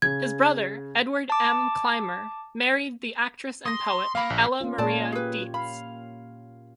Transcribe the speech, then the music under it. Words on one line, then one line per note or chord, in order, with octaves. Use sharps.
His brother, Edward M. Clymer, married the actress and poet, Ella Maria Dietz.
C#3 G#6
A5 D6
C6 D#6 A#6
A#3 F5 B5
A#1
A#3 C#4 F4
A#2 A#3 C#5 D5 A5
G4 G#4 B4
F5 B5